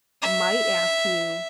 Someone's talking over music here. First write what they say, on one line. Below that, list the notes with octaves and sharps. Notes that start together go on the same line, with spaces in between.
might ask you
E5